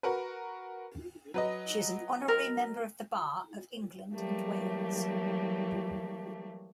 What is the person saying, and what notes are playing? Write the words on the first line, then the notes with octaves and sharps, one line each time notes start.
She is an honorary member of the Bar of England and Wales.
F#4 A#4 B4
F#3 B4 D#5
A#4
E3 F#3 G3 A3 A#3